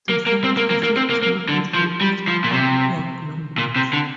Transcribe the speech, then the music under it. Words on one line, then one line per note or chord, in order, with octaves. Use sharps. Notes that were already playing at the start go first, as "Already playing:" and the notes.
The Song of the Sea is noted for its archaic language.
A#3
A#3
C4
A#3
A#3
A#3
C4
A#3
A#3
D3
F3
G3
F3
A#2
C3
A#2
C3
D3